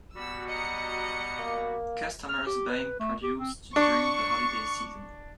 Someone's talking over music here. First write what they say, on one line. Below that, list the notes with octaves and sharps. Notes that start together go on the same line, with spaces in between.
Customers buying produce during the holiday season.
B2 G3 F#4 E6
D#5 A#5 C#7
A#3
F6
G4
B4
A3
G4
C4
D4 C#6